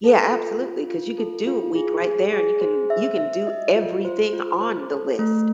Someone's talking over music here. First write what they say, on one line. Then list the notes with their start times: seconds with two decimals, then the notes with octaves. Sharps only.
Yeah, absolutely, 'cause you could do a week right there, and you can you can do everything on the list
0.04 A4
0.32 F4
0.61 F4
0.90 F4
1.18 A4
1.47 F4
1.75 G#4
2.04 G#4
2.33 G#4
2.61 C5
2.90 E5
3.18 E5
3.47 D#5
3.76 F4
4.05 C5
4.33 F4
4.61 C5
4.90 A4
5.19 A3